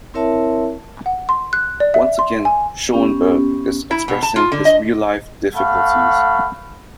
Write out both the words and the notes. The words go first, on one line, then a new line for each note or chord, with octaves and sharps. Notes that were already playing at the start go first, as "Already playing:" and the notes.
Once again, Schoenberg is expressing his real life difficulties.
C4 E4 A#4 C#5 E5 A5
F#5
C6
F#6
D5
E5
C6
G#5
B3 C#4 G4
E4
B2
A5
F4
D3
D#5
A3 F5 F#5 B5 C#6